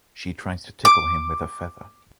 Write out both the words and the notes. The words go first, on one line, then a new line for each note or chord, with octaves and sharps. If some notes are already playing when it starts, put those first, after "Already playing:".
She tries to tickle him with a feather.
D6